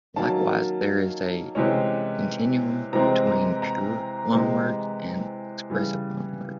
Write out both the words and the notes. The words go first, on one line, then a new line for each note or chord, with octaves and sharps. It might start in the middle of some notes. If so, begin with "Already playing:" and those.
Likewise, there is a continuum between "pure" loanwords and "expressive" loanwords.
D#3 F#3 A#3 C#4 A5
C3 E3 G#3 C#4
C3 E3 G#3 C4 A#5
A#5
A#5
C3 E3 G#3
C#3 E3 G3